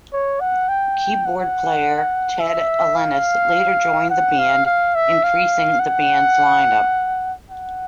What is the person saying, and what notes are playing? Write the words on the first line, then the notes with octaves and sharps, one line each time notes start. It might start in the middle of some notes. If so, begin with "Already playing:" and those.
Keyboard player Ted Ellenis later joined the band increasing the band's lineup.
C#5
F#5
G5
F#5
E5
F5
F#5
F5
F5
E5
F5
F#5
F#5